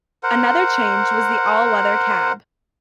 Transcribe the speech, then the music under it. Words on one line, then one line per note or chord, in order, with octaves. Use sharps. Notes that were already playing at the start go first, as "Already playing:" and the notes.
Another change was the all-weather cab.
A#4 C5 F#5